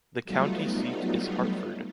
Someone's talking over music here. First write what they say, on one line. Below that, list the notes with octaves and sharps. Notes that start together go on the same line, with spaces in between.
The county seat is Hartford.
F#3 G3 A3 B3 D#4 F4